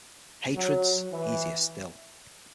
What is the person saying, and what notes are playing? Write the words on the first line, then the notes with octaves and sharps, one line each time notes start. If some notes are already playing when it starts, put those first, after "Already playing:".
Hatreds, easier still.
F#3
E3